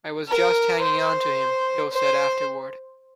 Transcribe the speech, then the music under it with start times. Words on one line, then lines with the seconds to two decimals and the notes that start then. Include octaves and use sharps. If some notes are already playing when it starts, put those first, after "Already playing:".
"I was just hanging on to him," Hill said afterward.
0.28 A#4
0.83 C5
1.93 C5